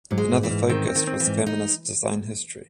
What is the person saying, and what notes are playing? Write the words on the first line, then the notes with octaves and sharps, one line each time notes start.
Another focus was feminist design history.
G#2 F#3
G#3
G#2
E3
G#2
D#3 C4
C4
D#3
C4
E3
G#2
D#4